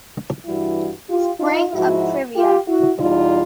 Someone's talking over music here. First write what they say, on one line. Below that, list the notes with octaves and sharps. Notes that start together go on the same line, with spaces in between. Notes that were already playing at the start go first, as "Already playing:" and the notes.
Spring of Trivia.
G2 E3 G3 E4 F#4
F4 G4
D#4 F4
G#2 F3 E4 F#4
F4 G4
E4 F#4
E2 B2 G3 D#4 F4